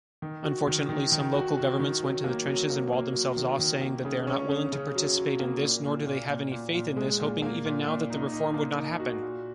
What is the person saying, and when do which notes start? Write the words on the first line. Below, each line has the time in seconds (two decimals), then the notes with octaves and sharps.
Unfortunately some local governments went to the trenches and walled themselves off, saying that they are not willing to participate in this nor do they have any faith in this, hoping even now that the reform would not happen.
0.22 D#3
0.44 F#4
0.67 D#3
0.89 D#3
1.12 D#3
1.34 F#4
1.57 F#4
1.80 D#3
2.02 F#3
2.24 A#3
2.47 F#3
2.70 A#3
2.93 A#3
3.14 F#3
3.37 D#3
3.59 D#3
3.81 A#3
4.05 C#3
4.27 C#4
4.49 C#3
4.72 C#3
4.95 F#3
5.17 F#3
5.39 A#3
5.62 A#2
5.85 A#2
6.07 A#2
6.29 A#2
6.52 A#2
6.75 A#2
6.97 G#3
7.20 A#2
7.42 A#3
7.65 A#2
7.87 A#2
8.10 D#4
8.32 D#4
8.54 A#3
8.78 D#4
9.00 F#4
9.23 A#2